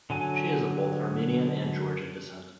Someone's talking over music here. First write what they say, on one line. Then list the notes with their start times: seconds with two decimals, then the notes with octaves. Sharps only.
She is of both Armenian and Georgian descent.
0.10 D3 F#3 G#5